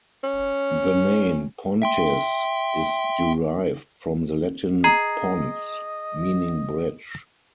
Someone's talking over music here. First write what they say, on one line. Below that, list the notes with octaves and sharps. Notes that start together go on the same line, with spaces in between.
The name "Pontis" is derived from the Latin "pons," meaning bridge.
C#4
E5 G5 C6
G#4 D#5 A#5